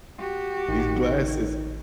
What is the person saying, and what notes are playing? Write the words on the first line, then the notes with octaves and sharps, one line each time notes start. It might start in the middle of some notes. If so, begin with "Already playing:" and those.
These glasses
F#4 G4
A1 D#3